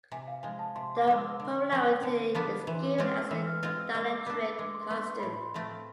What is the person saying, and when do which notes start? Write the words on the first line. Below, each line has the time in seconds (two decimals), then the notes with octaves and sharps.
The polarity is given as the dielectric constant.
0.12 C3 G#5
0.28 F5
0.43 F3 G#3 G#5
0.59 A5
0.76 C3 C6
0.97 D6
1.07 F3 G#3
1.18 E6
1.40 D3
1.72 F3 B3 D4
2.03 D3
2.35 F3 B3 D4
2.67 E3 C6
2.83 D6
2.98 G#3 C4 F4 C6
3.07 F6
3.15 E6
3.30 E3 E6
3.47 F6
3.63 G#3 C4 F4 F6
3.79 E6
3.95 G#3 E6
4.10 D6
4.21 E6
4.26 B3 D4 D6
4.43 E6
4.58 G#3 D6
4.74 C6
4.90 B3 D4 C6
5.07 C6
5.20 A2 B5
5.34 C6
5.54 F3 A3 C4